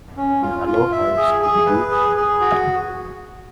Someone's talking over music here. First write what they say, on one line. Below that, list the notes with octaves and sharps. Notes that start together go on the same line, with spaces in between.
In Aloha, Scooby-Doo!
C#4
F4
F4
E5
G#4
G#4
B4
G#4
G#4
F#4